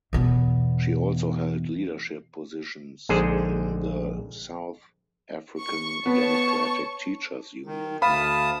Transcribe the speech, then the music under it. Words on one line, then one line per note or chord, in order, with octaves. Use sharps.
She also held leadership positions in the South African Democratic Teachers Union.
E2 B2
A#1 D3 G#3 D#4 G#4 C5
C#6
B3 C#5 A5 C#6
D#3
D2 F5 A5 B5 D#6